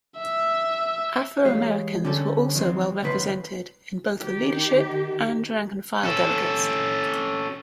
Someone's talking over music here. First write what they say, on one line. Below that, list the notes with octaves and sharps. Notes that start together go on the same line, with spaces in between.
Afro-Americans were also well represented in both the leadership and rank-and-file delegates.
E5
E2 G#3 G4 C#5 F5
D3 G3 C#4 A4
F2 D#3 F#3 C4
C#2 F#2 D#3 B4 C#5 C6
D#3 G4
C#4 A4